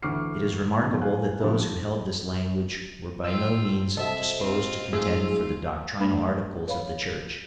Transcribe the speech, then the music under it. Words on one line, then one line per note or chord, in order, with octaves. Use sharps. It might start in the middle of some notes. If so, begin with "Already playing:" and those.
It is remarkable that those who held this language were by no means disposed to contend for the doctrinal Articles of the Church.
D2 E3 C#6 D6 F6 C7
B2 F3 C#4
G#4 F5 G#5 F#6
F3 G3 B3 D4 E4
F4 G5 E6
C3 F#4 A4 C5 D#5 E5
C4 F4
G#2 A3 F4 G#4 E6
G3 A3 D4 B4 B5
B4 C#5 F5 B5